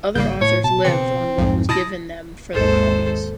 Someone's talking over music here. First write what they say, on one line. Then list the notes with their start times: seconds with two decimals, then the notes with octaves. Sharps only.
Other authors lived on what was given them for their copies.
0.15 G#1 C#3 G3 A#3 G6
0.41 A2 C#5
0.64 B2 A5
0.84 C#3 E3 C4 C#7
1.38 B1 F2 G#2
1.69 B2 E4 A5 D#6 A6 A#6
2.53 G#1 D#2 G#3 A4 C5